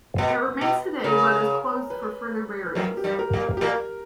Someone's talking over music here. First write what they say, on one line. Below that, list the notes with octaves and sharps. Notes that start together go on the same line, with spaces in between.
It remains today but is closed for further burials.
B2 B3
B2
C#3 A#4
B4
B4
F#2 F#3 A#4
G4
G2 G3
A#4
A#2 A#3
G4
A#2 A#3 A#4